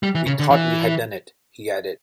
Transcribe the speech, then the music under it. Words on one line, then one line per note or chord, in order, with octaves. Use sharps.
We thought we had done it, he added.
G3
E3
C#3
D3
E3